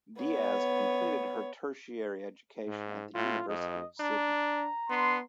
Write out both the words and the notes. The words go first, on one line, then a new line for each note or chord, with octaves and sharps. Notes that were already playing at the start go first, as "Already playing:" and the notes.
Dias completed her tertiary education at the University of Sydney.
B3 C#5
G#2
A2 F4
F2 D#5
D4 A#5
B3 D4 C6